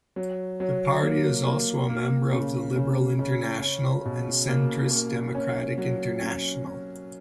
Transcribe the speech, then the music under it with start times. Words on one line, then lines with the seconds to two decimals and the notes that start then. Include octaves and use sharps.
The party is also a member of the Liberal International and Centrist Democrat International.
0.16 F#3
0.60 F#3
1.03 A#3
1.45 A#3
1.89 A#3
2.33 C#3
2.76 C#3
3.19 C#3
3.62 C#4
4.05 B2
4.48 A#3
4.91 A#3
5.35 C#4
5.78 F#3
6.21 C#4
6.65 C#4